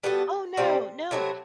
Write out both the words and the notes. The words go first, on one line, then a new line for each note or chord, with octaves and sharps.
Oh, no, no.
G3 B3 F#4 A4
C3 G3 C4
C3 F#3 A3 E4